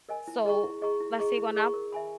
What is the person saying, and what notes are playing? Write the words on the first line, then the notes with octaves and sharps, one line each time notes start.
So, La Siguanab
A#4 D#5 G#5
E4
G#4 D#5 A#5 C#6
E4
G#4 D#5 A#5 C#6
E4
G#4 D#5 A#5 C#6
E4
G#4 D#5 A#5 C#6
A#4
E5 G#5 B5